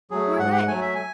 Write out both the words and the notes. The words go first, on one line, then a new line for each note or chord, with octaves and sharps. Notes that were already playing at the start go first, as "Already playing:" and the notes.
"Who are they?"
F#3 A3 G#4
G#2 F#5
F#5
F#3 A3 G#5
E5
G#5